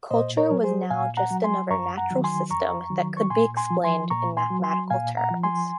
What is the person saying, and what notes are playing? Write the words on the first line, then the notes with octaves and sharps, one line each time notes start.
Culture was now just another natural system that could be explained in mathematical terms.
A#2 C5 D#5
A#4 C#5
F#3
G#4 C5
A#2 F5 G#5
F#5 A#5
F#3
G#5 C6
F#2 A#5 C#6
F#5 A#5
D#3 F#3
G#5 C6
F2 A#5 C#6
D#3 F#3
C#6
A#2 G#5 C6
G#5 C6
F3
G#5 C6
A#2 A#5 C#6
G#5 C6
F#3
G#5 C6
A#2 F5 G#5
F#5 A#5
F3
G#5 C6